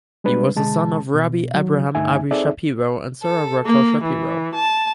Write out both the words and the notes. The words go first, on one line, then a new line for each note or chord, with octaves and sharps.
He was the son of Rabbi Avraham Abba Shapiro and Sora Rochel Shapiro.
G3 G#3 D4 B4
B2 D3 G#3 A5
B2
D#3 F#3
G2 D3 A3 D#4 E5 G#5
C4 D#4 G#4 A4 D5 E5
A4
A#3
E3
A5